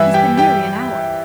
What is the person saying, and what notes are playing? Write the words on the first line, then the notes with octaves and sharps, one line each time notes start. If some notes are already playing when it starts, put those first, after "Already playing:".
He's been nearly an hour.
Already playing: G2 E3 E4 E5
G4 G5
G4 G5